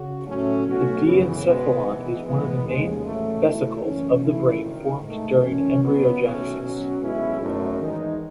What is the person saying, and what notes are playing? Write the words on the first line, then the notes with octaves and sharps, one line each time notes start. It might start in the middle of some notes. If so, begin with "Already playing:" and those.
The diencephalon is one of the main vesicles of the brain formed during embryogenesis.
Already playing: C#3 F#4
A2 F#3 A3 C#4
B1 B2 A3 C#4 F#4
F#2 C#3 E3 B3
B2 G#3 B3
G#1 G#2 E3 B3 D#4
A2 E3 G#3 B3
D#2 C#3 G#3
A1 G#2 F#3 A3
B2 A3 E4
F#1 F#2 E3 A3 C#4
E2 C#3 E3 A3 E4
G#1 G#2 D#3
G#2 D#3 A3
G#1 F#2 E3 G#3 C#4
C#2 B2 F#3 B3
B1 B2 A3 C#4 F#4
B2 F#3 C#4
B1 B2 G#3 C#4 E4
G#1 F#2 D#3 A3
E2 D#3 G#3 D#4